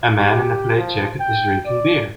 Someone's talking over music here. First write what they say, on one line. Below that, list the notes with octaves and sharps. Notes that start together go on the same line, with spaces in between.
A man in a plaid jacket is drinking beer.
G4
F3
G5
D5